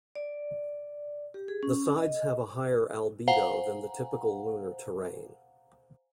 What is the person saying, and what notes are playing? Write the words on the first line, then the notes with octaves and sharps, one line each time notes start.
The sides have a higher albedo than the typical lunar terrain.
D5
G4
G#4
C#4
D#5
C5 F5 F#5 G#5 A#5